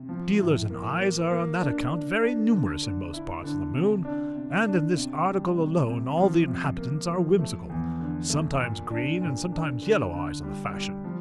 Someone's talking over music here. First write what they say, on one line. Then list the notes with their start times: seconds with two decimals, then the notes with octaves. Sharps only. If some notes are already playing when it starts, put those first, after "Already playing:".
Dealers in eyes are on that account very numerous in most parts of the moon, and in this article alone all the inhabitants are whimsical: sometimes green and sometimes yellow eyes are the fashion.
Already playing: C3
0.09 F3
0.39 A2
0.70 A#3
1.00 A#3
1.31 A#3
1.61 D4
1.91 D4
2.22 D4
2.53 D3
2.83 D3
3.14 E4
3.44 D3
3.74 C3
4.05 D4
4.35 C3
4.66 D4
4.96 C3
5.26 G3
5.57 C3
5.87 C3
6.17 F3
6.48 C3
6.78 A#3
7.09 F3
7.39 A3
7.70 E2
8.00 D3
8.30 A3
8.61 A#2
8.91 D4
9.21 A#2
9.52 D4
9.82 D3
10.13 D3
10.43 G3
10.73 G3
11.04 F3